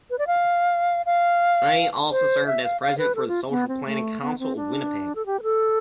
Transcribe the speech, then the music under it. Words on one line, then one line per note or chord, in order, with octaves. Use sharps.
She also served as president for the Social Planning council of Winnipeg.
B4
D5
F5
F5
C5
E5
F5
F5
B4
A4
F4
B3
C4
A3
B3
C4
D4
A4
G4
B4
A4